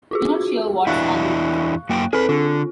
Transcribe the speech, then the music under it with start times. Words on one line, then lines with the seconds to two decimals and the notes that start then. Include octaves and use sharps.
We're not sure what's wrong with it.
0.11 F4 F#4 G#4
0.87 E2 D4 E4 F5 C#6 F#6
1.89 F#2 A#3 G5
2.13 C4 G#4 A4 B4
2.29 D3 F4